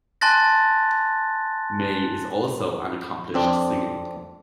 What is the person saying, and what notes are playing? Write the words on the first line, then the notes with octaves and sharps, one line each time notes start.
May is also an accomplished singer.
G#5 A5 C6 F#6 A6 A#6
F2 C4 D4